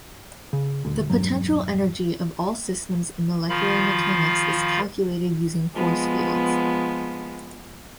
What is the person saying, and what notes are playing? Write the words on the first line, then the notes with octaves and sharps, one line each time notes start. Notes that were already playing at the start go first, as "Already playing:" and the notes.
The potential energy of all systems in molecular mechanics is calculated using force fields.
C#3
D#1 D2
E1 A#1 G2 F#3
D#3 F3 F4 F5 B5
F3 G#3 B3